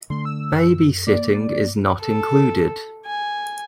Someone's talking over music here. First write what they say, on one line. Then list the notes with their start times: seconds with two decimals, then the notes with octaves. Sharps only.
Babysitting is not included.
0.10 D3 A3 C6
0.25 E6
0.52 F#2
1.07 A#3 D5
2.00 A4
3.06 G#5